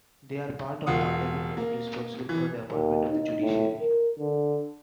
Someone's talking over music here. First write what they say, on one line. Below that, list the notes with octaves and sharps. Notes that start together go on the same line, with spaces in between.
They are part of Parliament and responsible for the appointment of the judiciary.
E1 F4 F#5 D#6
A#3
E3
D#2
D#4
A2
A#4
D3